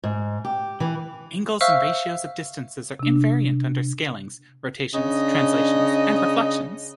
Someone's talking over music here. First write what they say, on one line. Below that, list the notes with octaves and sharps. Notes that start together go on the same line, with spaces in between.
Angles and ratios of distances are invariant under scalings, rotations, translations and reflections.
G#2
G4
E3
C5 E5 F5 C#6 E6 F6
C3 D4
C#3 D4 D#5